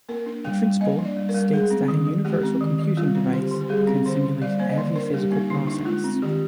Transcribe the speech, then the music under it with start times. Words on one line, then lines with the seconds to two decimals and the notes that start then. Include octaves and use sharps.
The principle states that a universal computing device can simulate every physical process.
0.09 A#3 A#4
0.26 D4
0.44 G3 G5
0.63 G3
0.81 A#3 D#5
0.99 D4
1.05 D5
1.17 G3
1.29 A#4
1.35 G3
1.53 G#3 G#4
1.70 C4
1.88 D#3
2.07 D#3
2.25 G#3 G4
2.43 C4
2.61 D#3
2.79 D#3
2.97 G3 F4
3.15 C4
3.33 D3 G4
3.51 D3
3.61 G4
3.69 G3 G#4
3.87 C4
4.06 D3 C5
4.23 D3
4.42 G3 D5
4.59 A#3 C5
4.70 D#5
4.78 D3 D5
4.96 D4 A#4
5.14 G3 G4
5.32 A#3 D#4
5.50 D3 D4
5.67 D4 D#4
5.86 G#3 F4
6.04 C4
6.22 D#3 G4